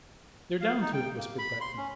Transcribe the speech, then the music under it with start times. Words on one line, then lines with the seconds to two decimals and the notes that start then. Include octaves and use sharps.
"They're down to it!" whispered Breton.
0.61 F5
0.81 D#4
0.93 G5
1.18 A#3
1.38 B5
1.61 C6
1.78 C#4